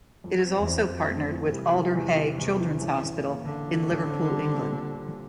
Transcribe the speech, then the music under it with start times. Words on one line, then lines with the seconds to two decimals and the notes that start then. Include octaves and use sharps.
It is also partnered with Alder Hey Children's Hospital in Liverpool, England.
0.24 F2
0.45 C4
0.57 E2
0.67 C4
0.88 F2 C4
1.10 A3
1.32 E3
1.52 C3 G3
1.74 E3
1.96 E2
2.17 E3
2.38 E2
2.60 E3
2.82 A1
3.03 A1
3.25 A#3
3.45 D3 A#3
3.67 F3
3.89 A1
4.11 C4
4.32 G3
4.54 A#2